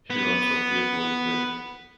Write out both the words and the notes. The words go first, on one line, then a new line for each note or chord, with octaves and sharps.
She runs so fearfully quick.
B3